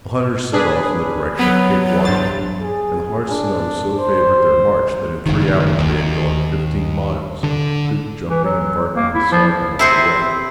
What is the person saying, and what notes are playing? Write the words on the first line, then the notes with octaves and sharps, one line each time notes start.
The hunters set off in the direction of Cape Washington, and the hard snow so favoured their march, that in three hours they had gone fifteen miles, Duk jumping and barking beside them all the way.
D4 G#4 B4
F#3 B3 B4
G2 C5 A6
G#4
D4
C5
F#1 D#3
D#2
D3
E3
F#3
A#3
E4
F3
C3 C4 E4